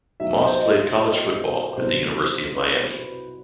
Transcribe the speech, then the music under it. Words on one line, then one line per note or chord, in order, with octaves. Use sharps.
Moss played college football at the University of Miami.
B1 B2 F#3 B3 E5
D#5
C5
D#5
C2 C3 F#3 B3 C5
B4